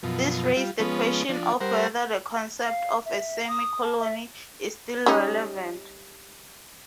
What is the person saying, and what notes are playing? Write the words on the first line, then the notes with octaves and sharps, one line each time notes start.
This raised the question of whether the concept of a "semi-colony" is still relevant.
F#2 B2 F3
G3 F4
F3 G#3 B3 C#4
F3 D4
G3 A#4 C5 F#5
F5
E5
D#6
A5
E5
G3 C#4 D#4